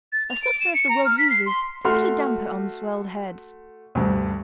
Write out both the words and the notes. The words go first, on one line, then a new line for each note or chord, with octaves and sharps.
A substance the world uses to put a damper on swelled heads.
A6
F7
D7
E7
C#7
A#5
F6
B6
C7
C6
A3 F#4 C6 F6
D2 G2